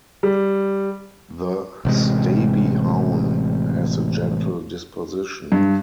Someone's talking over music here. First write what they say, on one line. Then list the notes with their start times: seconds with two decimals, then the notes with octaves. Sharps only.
The Stabyhoun has a gentle disposition.
0.23 G3
1.85 A1 C3 G#3
5.52 G2